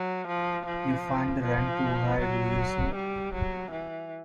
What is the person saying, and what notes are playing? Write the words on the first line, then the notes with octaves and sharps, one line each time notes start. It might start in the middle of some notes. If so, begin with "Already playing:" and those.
You find the rent too high, do you, sir?
Already playing: F#3
F3
F3
F3
F#3
G3
F#3
E3